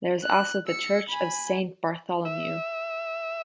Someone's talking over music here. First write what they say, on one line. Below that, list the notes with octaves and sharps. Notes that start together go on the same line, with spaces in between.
There is also the church of Saint Bartholomew.
F#6
E6 C#7
G#5 B5
E5